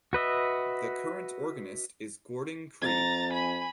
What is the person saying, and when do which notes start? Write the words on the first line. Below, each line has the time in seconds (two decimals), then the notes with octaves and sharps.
The current organist is Gordon Cree.
0.13 F#4 B4 D#5 E5
2.82 F2 A#5 A6
3.31 G#5 B5